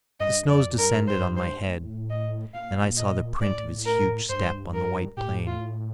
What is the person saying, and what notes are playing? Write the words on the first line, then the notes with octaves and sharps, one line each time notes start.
The snows descended on my head, and I saw the print of his huge step on the white plain.
G2 D#5
F2 D5
G2 A#4
C5
C5
A2
D#5
A#2 F5
D#5
A2 D5
A#4
G2 C5
A#4
A2 G4
F4